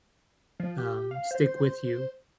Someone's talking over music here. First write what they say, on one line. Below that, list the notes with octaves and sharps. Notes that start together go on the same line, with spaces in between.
um, stick with you,
F3
G4
F5
C5